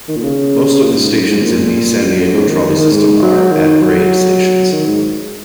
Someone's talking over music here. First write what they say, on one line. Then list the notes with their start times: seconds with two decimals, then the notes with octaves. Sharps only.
Most of the stations in the San Diego Trolley system are 'at-grade' stations.
0.08 D#3
0.16 A#2
0.23 C#3
0.83 A#2
0.98 G#2
1.13 F#2
1.28 G#2
1.43 A#2
2.03 F#2
2.33 G#2
2.48 D#3
2.63 D#3
2.78 D#3
2.92 G#2
3.22 F#3
3.52 D#3
3.82 F#3
4.72 D#3
4.87 G#2